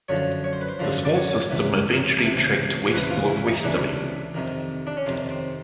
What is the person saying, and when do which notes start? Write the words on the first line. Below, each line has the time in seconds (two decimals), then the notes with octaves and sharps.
The small system eventually trekked west-northwesterly.
0.09 F#2 D3 F3 C#5
0.44 C#5
0.53 C5
0.61 B4
0.69 C5
0.79 F#2 D3 F3 C5
1.05 D5
1.15 C#5
1.51 C#2 C3 E3
2.22 C#2 C3 E3
2.93 C#2 C3 E3 B4
3.10 F4
3.28 E4
3.46 D#4
3.64 C#2 C3 E3 D4
4.34 F2 C3 D#3
4.87 D4
4.97 C#4
5.06 F2 C3 D#3 C4
5.30 C4